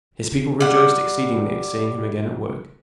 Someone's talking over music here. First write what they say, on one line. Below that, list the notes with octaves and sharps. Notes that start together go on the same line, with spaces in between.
His people rejoiced exceedingly at seeing him again at work.
G3 F#5